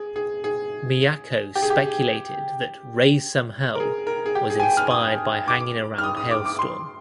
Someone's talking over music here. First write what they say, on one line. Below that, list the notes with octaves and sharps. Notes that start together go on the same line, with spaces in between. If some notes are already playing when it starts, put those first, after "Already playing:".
Miyako speculated that "Raise Some Hell" was inspired by hanging around Halestorm.
Already playing: G#4
G#4
G#4
G4
G#4
G4
A#4
G#4
A#4
G#4
G4
G#4
G#5
G5
F6
D#6
D6
F6
D#6
D#6
D6
D6
C6